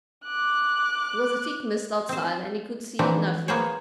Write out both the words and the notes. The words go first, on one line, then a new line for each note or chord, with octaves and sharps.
There was a thick mist outside and he could see nothing.
D6 F#6
C4 C5
E3 F3 C4 D4 D#4
A#3 B3 G#4 C5 C#5